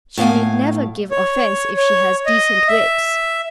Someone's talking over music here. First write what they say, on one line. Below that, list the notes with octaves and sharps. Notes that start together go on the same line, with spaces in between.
She need never give offence if she has decent wits.
A2 B3 F5 G#5
C#5
C#5
D#5
E5